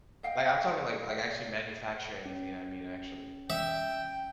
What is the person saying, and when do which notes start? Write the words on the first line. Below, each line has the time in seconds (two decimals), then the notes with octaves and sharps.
like, I'm talking, like like, actually manufacture anything I mean actually,
0.23 D#5 F5 G5
2.25 C#4
3.50 E5 G5